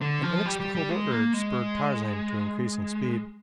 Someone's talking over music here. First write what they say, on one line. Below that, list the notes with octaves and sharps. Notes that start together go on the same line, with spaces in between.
An inexplicable urge spurred Tarzan to increasing, speed.
D3
F3
G3
G3
G3
G#3
A#3
G#3